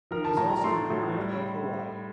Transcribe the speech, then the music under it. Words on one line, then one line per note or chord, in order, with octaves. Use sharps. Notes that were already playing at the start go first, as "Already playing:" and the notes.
It was also recorded of Hawaii.
F3 A#4
A5
A2 A#5
A#5
A3 C6
A2
G3